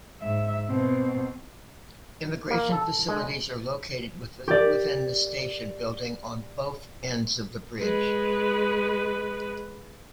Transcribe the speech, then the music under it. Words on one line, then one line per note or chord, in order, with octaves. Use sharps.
Immigration facilities are located within the station building on both ends of the bridge.
G#2 E5
B2 C4
A#3
A4
G#3
G4 D5
G#3 B4